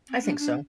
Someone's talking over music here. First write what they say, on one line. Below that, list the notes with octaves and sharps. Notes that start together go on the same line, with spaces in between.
I think so.
C4
D4
D4